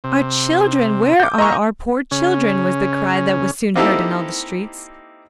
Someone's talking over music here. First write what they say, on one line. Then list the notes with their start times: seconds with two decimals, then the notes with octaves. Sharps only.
'Our children! where are our poor children?' was the cry that was soon heard in all the streets.
0.04 C3
1.20 D6 G6
1.38 A#3 E4 D#5 A#5 C#6
2.11 C#3 C#4
3.75 A#3 C4 D#4 E4 G4 A4